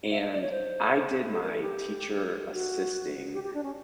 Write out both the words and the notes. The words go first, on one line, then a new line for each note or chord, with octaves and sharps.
and I did my teacher assisting
E5
D#5
D5
C#5
C5
A4
A#4
A4
G4
F#4
G4
G4
D4
C#4